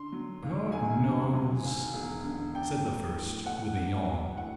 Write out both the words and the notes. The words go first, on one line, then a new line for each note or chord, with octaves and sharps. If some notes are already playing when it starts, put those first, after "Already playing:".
"God knows," said the first, with a yawn.
Already playing: D3 C6
F#3
D#2
E1 G#5
D3
F#3
D#2
E1
D3
D4 G5
F#3
A2
A3 F#5
D4
F#3
A2 F#5